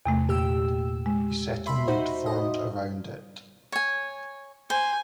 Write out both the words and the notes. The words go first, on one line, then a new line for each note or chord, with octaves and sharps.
A settlement formed around it.
E2 C3 A3
A#2 G4 E6
G#3
E5 B5 C6
D#4 F#4 C5
D#5
C#5 G#5
C5 G#5